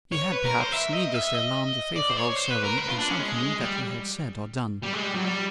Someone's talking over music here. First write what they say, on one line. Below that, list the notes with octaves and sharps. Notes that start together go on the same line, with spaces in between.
He had perhaps needlessly alarmed the faithful old servant by something that he had said or done.
C#5
B4
A#4
C5
E5
D#5
E5
D#5
D5
C5
C#5
C5
B4
A#4
B4
F4
D4
C#4
G#3
G3
G3
G#3
G3
F#3
G3